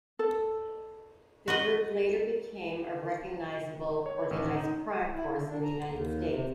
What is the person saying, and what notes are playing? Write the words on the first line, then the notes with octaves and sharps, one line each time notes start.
The group later became a recognizable organized crime force in the United States.
A4
F#4 B4 D#5
C#5
A1
D#4
E4
D3
D4
A#5
D#2
C3